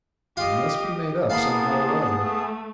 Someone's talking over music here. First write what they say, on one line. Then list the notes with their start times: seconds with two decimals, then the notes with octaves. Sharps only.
"It must be made up somehow or other."
0.37 F4 G4 D#5 F5
1.30 A#3 B3 E4 G#4 F5 A5 B5 C6
2.21 A3